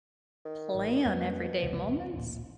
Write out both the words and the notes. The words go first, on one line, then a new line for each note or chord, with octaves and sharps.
plan everyday moments,
D#3
A1
F2 B2 G3 A#3
F1 C#2
D1 A1 A#2